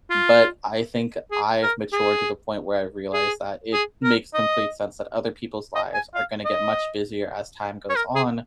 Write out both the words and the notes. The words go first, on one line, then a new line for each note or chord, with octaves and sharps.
But I think I've matured to the point where I realized that it makes complete sense that other people's lives are gonna get much busier as time goes on
F4
G#4
A#4
G#4
G#4
G#4
A#4
D#5
D#5
G#5
F5
D#5
C#5
A#4
G#4